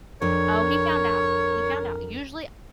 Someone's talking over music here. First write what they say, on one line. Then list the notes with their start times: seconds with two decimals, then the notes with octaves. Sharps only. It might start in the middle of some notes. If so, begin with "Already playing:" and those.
oh, he found out, he found out. Usually uh,
0.22 F2 D4 A#4 C#5